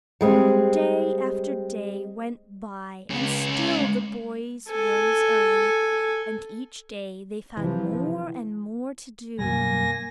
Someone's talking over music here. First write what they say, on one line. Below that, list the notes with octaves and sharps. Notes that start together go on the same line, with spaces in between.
Day after day went by and still the boys rose early, and each day they found more and more to do.
G3 G#3 C4
C#2 C#3
A4 G#5
C3 E3 F3
F#2 B2 G3 A#3 G#5 A#6